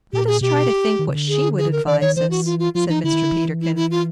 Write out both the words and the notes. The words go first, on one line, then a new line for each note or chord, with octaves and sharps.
"Let us try to think what she would advise us," said Mr. Peterkin.
A#2 G4
G#4
B2 G4
D#3
C#3
D3
G#4
G#4
A#4
D#3 D5
D#3 C#5
E3 C5
F#4
F4
F4
F3 F4
E3 D#4
D3 E4
D#3
D3
E3
E4
E4
F4